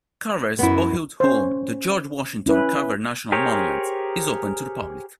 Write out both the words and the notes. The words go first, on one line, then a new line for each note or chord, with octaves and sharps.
Carver's boyhood home, the George Washington Carver National Monument, is open to the public.
F#2 B3 E4
C#4 C5
C#4 E4 B4
G4 G#4 A#4 C5 C#5